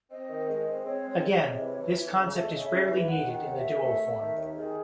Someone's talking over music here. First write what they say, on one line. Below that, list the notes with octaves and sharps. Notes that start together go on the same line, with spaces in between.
Again, this concept is rarely needed in the dual form.
C4 D#5
D#3
G#3
C4
C4 C#5
G#3
C#5
G#3
C#5
C3
E3
E3
E3
C#3
A3 D#5
C#3
E5
C#3
E5
E3
D#2 F#5
D#3
F#5
D#2
E5
D#2
A3
A3
D#3
D#2
D#3 G#4